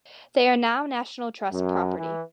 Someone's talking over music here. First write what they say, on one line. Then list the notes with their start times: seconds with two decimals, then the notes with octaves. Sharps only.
They are now National Trust property.
1.51 F#2
1.97 E3